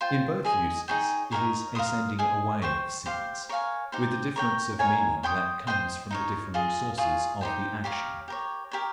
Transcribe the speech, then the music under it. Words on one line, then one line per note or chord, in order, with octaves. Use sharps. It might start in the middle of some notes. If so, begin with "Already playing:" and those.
In both uses, it is a sending away of sins, with the difference of meaning that comes from the differing sources of the action.
F4 C5 G5 C6
G#4 D#5 G#5
D#4 G#4 C#5 G5
D#4 G4 A#4 C#5
A#4 F5 C6 D#6
G#4 D#5 G#5
C5 G5 C#6
G4 C5 F5 C6
A#4 C#5 F5 G#5
D#4 G4 C5
A#4 C#5 G5 A#5
D#4 A#4 C#5 G#5
C#5 G5 C6 D#6
C5 D#5 G5 C6
D#4 A#4 C#5
F4 G#4 D#5
F4 G#4 C#5
D#4 G4 C5 G5
G4 C#5 F5 A#5
G4 A#4 C#5
G4 A#4 C#5